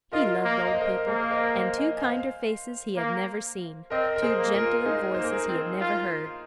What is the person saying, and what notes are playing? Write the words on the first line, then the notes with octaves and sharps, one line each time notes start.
He loved old people, and two kinder faces he had never seen--two gentler voices he had never heard.
F4 A#4 D#5
A#3
F5
D#5
C5
A#4 D#5
A#3 G#4 C5
C5
A#4 D#5
C5 F5
D#5 G#5
G#5
C5 F5
A#3
C4 A#4 D#5
A#4
G#4 C5
A#3
F4 A#4
G#3 D#4 G#4
A#3 C5
A#4
D#4 G#4
C4
F4